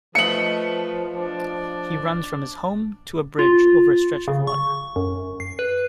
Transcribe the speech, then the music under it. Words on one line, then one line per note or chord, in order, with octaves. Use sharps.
He runs from his home to a bridge over a stretch of water.
F3 A3 B4 D#5 E5 C#7 F#7
D4
F4
C#3
C#6
F#2
C7
B4